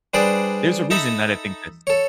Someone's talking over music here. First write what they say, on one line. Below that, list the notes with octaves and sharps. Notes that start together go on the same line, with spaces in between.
There's a reason that I think this.
G3 D4 G#4 B4 C5 D5
D#4 A4 E5 A#5 B5
A4 C#5